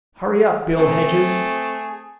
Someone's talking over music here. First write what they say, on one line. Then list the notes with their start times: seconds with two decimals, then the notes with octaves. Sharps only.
"Hurry up, Bill Hedges!"
0.78 A3 C4 G#4